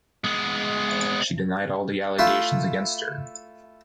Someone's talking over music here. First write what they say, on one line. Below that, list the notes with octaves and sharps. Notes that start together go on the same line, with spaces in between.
She denied all the allegations against her.
G#3 B3
A3 E4 F4